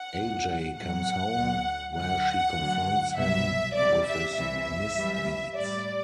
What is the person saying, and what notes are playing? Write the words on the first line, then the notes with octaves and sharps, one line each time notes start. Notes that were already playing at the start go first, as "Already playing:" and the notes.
Ajay comes home, where she confronts him with his misdeeds.
Already playing: F#5
D2 C3 F#3
A2 F#3 F#5
D2 D3 F#3
D2 D3 F#3 F#5
D2 D3 F#3
C2 B2 F#3 E5
E2 C3 G3 D5
E5
C2 C3 E3 E5
F#2 E3 G3
A2 G3 D5